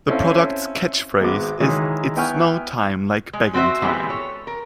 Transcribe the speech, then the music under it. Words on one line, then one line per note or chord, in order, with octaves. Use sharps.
The product's catchphrase is It's no time like Beggin' time!
C4 C#4 E4 A4 E5 F5
G#1 G#3 B3 D6
D#3 E3 F#3 G#3
B3 E4 G5 G#5 C#6 F6
G#3
C4 F#4 C5 E5
E3 G#3 B3 G4
A4 C#5
A#4